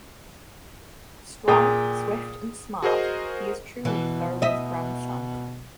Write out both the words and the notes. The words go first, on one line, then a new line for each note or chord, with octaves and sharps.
Strong, swift and smart, he is truly Thowra's grandson.
A#2 G#4 G5 A#5 D#6
F#4 G#4 A#4 C5 D#5
B2 E3
D#5 E5